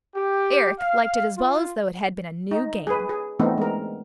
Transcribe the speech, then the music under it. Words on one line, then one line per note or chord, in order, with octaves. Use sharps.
Eric liked it as well as though it had been a new game.
G4
F5
F4
D#4
G#4 B4
G#4
E3 A3 B3 C4 D4 D#4
G#3 A#4